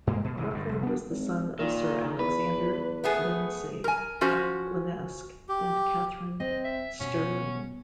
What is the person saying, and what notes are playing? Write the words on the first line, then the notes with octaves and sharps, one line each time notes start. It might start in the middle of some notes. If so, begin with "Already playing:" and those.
Crawford was the son of Sir Alexander Lindsay of Glenesk and Katherine Stirling.
G2 G#3 A#3
B2
C2 F#2 D#3 E3
G1 G2
F1 C2
B3 D4
G#1
A#2 D#3
E2 B4
A3 B3 G#4
A#4 G#5
F3 C#4 F#4 C5
G4
C4 D#5
E5
B2 C#4